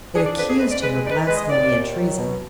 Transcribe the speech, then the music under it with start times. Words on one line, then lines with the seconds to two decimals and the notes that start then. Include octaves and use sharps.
It accused Him of blasphemy and treason.
0.14 D4 G#4
0.25 D5
0.37 F2 B4
0.48 G#4
0.59 G#2 B4
0.71 D5
0.82 G#3 B4
0.94 B4
1.04 D#4 D5
1.11 B4
1.15 A#4
1.27 G#3 B4
1.38 D#5
1.50 D#2 D5
1.72 D#2
1.95 F#3
2.18 B2